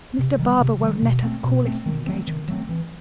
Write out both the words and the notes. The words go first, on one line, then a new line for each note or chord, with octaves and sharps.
Mr. Barbour won't let us call it an engagement.
C3
D#3 G3
C3
D#3 G3
B2
A3 C4
B2
A3 C4
D#3
F#3 A3 C4
D#3
F#3 A3 C4
E3